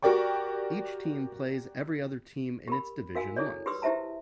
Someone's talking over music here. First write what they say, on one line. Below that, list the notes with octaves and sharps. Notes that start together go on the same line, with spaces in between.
Each team plays every other team in its division once.
F#4 G4 A#4 D5 G5 C#6
G4 A#4 B5
F#4 A#4 F5 G#5 E6
E4 G#4 A4 C#5 D5
G4 G#4 B4 C6 D#6 E6
E4 G4 C5 E5 A5 A#5